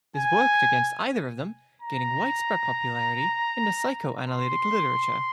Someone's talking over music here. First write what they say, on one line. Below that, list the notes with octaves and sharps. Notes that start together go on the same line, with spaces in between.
This worked against either of them gaining widespread popularity in the psychoanalytic literature.
G#5
A#5
C6